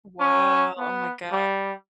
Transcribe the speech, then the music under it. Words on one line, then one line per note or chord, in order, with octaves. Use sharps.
Wow, oh my gosh.
C#4
B3
G3